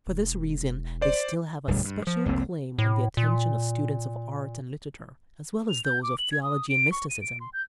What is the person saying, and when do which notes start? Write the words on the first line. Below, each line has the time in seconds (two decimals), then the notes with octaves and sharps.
For this reason they still have a special claim on the attention of students of art and literature, as well as those of theology and mysticism.
0.07 E1
1.01 C5 D5
1.68 D1 B1 G2 G3
1.85 G2
2.07 F3
2.26 F1 C2 A#3 C4
2.78 A2
3.17 A#2
5.69 F7
5.85 G6
6.03 D6
6.18 F#7
6.32 G#6
6.43 D#6
6.69 D7
6.92 C#6
7.10 D#7
7.22 D7
7.40 C6
7.53 G6